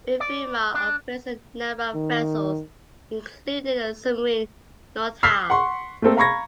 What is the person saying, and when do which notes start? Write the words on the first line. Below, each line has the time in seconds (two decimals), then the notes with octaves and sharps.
Ifremer operates a number of vessels, including the submarine "Nautile".
0.20 D5
0.74 D4
1.94 D#3
5.23 E6 F6 B6 C7
5.50 F#5 C6 C#6
6.02 A3 A#3 C4 A4
6.17 F5 A#5 B5 C#6 G#6 A#6